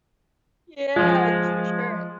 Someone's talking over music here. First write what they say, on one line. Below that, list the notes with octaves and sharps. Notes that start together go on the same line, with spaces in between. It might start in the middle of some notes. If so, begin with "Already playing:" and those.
Yeah, it's for sure.
F3 G#3 F4